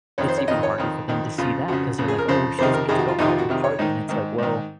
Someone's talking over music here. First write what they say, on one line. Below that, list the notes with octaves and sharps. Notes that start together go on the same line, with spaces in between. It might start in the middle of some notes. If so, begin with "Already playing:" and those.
it's even harder for them to see that 'cause they're like, "Oh, she doesn't get to go out and party." And it's like, "Well,
F2 D#3 C#5
C5
C#5
F2 D#3 D#5
C#5
F2 D#3
F2 D#3
F2 C#3 F4
F2 C#3 F#4
F2 C#3
G#4
A#4
F2 C#3 C5
F2 C3 D#3 C5
A#4
F2 C3 D#3 G#4
F#4
F4
F2 C3 D#3 D#4
F4
F#4
F2 C3 D#3
C#5
G#2 D#3 D#4
G#2 D#3
G#2 D#3